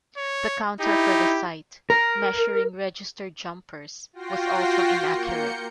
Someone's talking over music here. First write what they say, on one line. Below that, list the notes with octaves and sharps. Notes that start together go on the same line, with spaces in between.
The counter for the site, measuring registered jumpers, was also inaccurate.
C#5
D#4 E4 G4
A#4
F4 F#4 G5 A#6 C7
A#3 G6 C#7